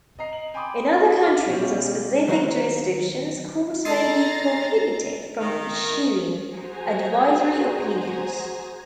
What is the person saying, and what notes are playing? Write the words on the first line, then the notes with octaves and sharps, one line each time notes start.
In other countries or specific jurisdictions, courts may be prohibited from issuing advisory opinions.
D#5 A#5 C7
F#7
G5 G#5 B5 C6 D6 D#6
F5 A5 C#6 D6
B2 C#4 G4 F5
D#2 F#3 C5 E5 F5 A#5
G#3 G#4 A4 A#5 A6 A#6 C7
D#3
F#4 G#4 C5 G#5 A#5